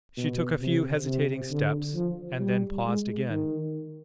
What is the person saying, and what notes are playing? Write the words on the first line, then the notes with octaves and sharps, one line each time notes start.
She took a few hesitating steps and then paused again.
B2
C3
C3
D3
F3
G3
G#3
D#3